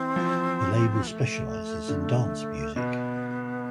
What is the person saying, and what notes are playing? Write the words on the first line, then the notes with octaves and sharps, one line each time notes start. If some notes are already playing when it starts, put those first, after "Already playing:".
The label specialises in dance music.
Already playing: E3 C4
F3
B3
A3
D3
B2 B3